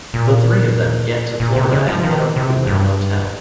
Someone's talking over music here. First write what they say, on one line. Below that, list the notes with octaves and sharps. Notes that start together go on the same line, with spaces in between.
The three of them get to Florida and get a room at a motel.
A#2
A#2
C3
C#3
F3
D#3
C3
G2